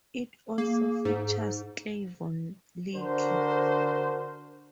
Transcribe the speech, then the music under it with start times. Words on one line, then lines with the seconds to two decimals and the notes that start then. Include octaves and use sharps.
It also features Cleavon Little.
0.58 A#3 G#4
1.05 G#2
2.95 D3 D4 F#4 A#4 C5